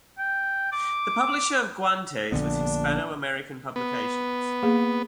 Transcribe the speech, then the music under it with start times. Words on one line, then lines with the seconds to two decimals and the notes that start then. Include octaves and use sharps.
The publisher of "Guantes" was Hispano American Publications.
0.19 G5
0.72 D6
2.32 A#1 D3 B3 D4
3.76 B3
4.63 A#3 G#4